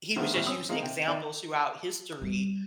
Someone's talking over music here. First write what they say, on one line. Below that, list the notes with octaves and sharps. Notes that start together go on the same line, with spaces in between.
he was just using examples throughout history
D3 D#3 F3 G#3 A3 B3
A1 G3 C5 E5 C#6 F6
C4 C#4 D#6 E6
F3 G#3 A#3 C4 D#4
C3 G5
D#3 D5 G5
G3